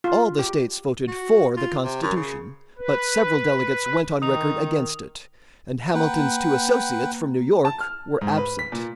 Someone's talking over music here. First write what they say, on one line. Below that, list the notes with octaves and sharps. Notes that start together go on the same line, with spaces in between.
All the states voted for the Constitution, but several delegates went on record against it, and Hamilton's two associates from New York were absent.
F4
G4
F#4
F4
C3
F#2
C#3
B4
D#3 D#4 D#6 F7
A#3 B4 F#5 G5
A5
F6
G#2
B4
B6
A#2